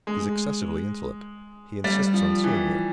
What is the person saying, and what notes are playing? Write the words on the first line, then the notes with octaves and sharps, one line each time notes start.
He's excessively insolent--he insists on seeing you.
G#3
G3
F3
E3